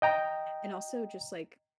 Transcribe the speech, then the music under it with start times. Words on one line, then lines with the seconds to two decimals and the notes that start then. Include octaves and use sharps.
And also just like,
0.02 D#5 G5 A#5